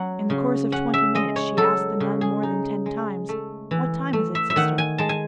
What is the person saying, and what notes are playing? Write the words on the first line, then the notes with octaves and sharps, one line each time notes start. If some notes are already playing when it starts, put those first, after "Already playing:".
In the course of twenty minutes, she asked the nun more than ten times, "What time is it, sister?"
Already playing: F#3 C#4 F#5
C#3
C#4 F#5
E5
G#3 D#5
C#5
F#3 A4
C#3
G#4
D#4
G#3
A3
E3
A3
E5
E5
D#3 F#5
G#5
G#3 A5
G#5